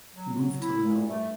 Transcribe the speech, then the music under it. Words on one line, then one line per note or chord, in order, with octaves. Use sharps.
Moved to Lenovo.
F#3
F#3
E4
A#2
A3